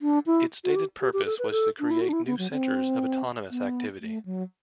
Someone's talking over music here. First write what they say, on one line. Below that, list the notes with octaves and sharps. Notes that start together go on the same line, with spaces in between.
Its stated purpose was to create new centers of autonomous activity.
D4
E4
F#4
G4
G4
G4
A4
B4
A4
D4
E4
F#4
D4
E4
B3
F#3
C4
B3
A3
F#3